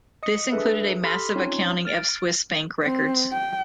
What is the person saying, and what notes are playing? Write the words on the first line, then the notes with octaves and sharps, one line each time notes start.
This included a massive accounting of Swiss bank records.
D#5 D#6 C#7
D4 G#4 A4 B4 E5
G4 A4 B5 C6 F6 B6
C4 C#4 D#4 F4 C#5 C6
F6 A6 D7
C4
G5